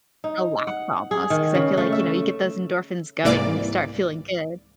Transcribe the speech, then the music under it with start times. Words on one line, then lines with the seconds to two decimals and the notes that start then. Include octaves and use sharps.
relax almost 'cause I feel like, you know, you get those endorphins going and you start feeling good,
0.24 D#4
0.67 F#5
1.11 G#4
1.30 D#3
1.55 C#3
1.77 A3
1.92 E5
3.24 C2 G#2 E3 A#3 D5 D6